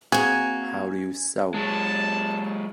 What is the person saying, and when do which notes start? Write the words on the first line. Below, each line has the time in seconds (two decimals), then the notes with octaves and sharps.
How do you sew?
0.12 A#3 C4 F#4 G#4 G#5
1.54 F#3 G#3 A5